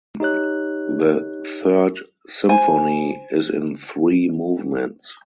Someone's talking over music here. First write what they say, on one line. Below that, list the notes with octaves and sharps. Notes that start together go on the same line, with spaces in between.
The Third Symphony is in three movements.
D#4 G4 C#5 F#6
C5 G#5